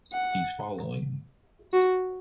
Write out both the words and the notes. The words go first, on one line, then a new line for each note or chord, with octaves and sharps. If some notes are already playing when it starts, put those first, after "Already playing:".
He’s following.
F#5
F#4